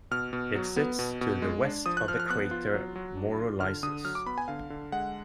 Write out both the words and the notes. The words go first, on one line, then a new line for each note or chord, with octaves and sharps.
It sits to the west of the crater Maurolycus.
B2 F6
B2
F#3
B3
B2
B2
G#3
D4
F3 D#6
F#6
F3 F6
F6
B3 F#6
F4
F#3
F#3
D4
F4
D3 F6
D3 D#6
F#3 F6
D6
B3 B5
G#5
D3 F5
D3
G#3 F#5